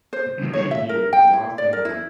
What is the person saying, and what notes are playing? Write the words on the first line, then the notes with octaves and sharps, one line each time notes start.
The union leader is Lars Lindgren.
C5
C#5
E5
A#4
G5
E4
D5
A#4
E4